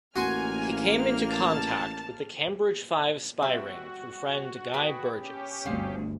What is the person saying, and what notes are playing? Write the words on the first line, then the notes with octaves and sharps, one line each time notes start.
He came into contact with the Cambridge Five spy ring through friend Guy Burgess.
A1 A#3 F#4 G#5 C6 C#6 F6
A5
G3 C4 F#4 E5
G#4 B4 G5
C#4 G4
G1 D2 C4 G#4 F5